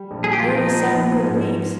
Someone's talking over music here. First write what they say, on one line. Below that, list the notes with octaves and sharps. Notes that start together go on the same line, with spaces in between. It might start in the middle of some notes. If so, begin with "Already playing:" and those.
"Nearly seven good leagues."
Already playing: G3
A#1
G#4
G4
F4
F3 D#4
F3
G#2